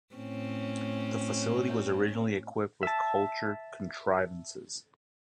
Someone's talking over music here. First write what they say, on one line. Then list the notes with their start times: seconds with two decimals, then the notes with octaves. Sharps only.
The facility was originally equipped with culture contrivances.
0.15 A2 C4 C#4
2.83 E5 A5